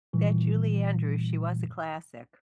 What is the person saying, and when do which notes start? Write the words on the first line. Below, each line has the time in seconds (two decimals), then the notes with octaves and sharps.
That Julie Andrews, she was a classic.
0.13 A#2 D#3 E3 G3